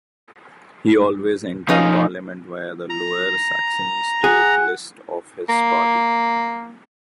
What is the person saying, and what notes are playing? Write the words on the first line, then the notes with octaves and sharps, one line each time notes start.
He always entered parliament via the Lower Saxony state list of his party.
B1 F3 C#4 D#4 F5
A#5
G#4 F#5
A#3